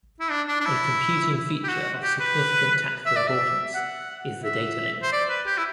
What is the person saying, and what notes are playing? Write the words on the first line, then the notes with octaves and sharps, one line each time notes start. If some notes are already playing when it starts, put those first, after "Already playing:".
A computing feature of significant tactical importance is the datalink.
E4
D4
D4
D4
E4
G4
F#4
G4
B4
E5
D5
E5
F#5
E5
C5
D5
B4
G4
E4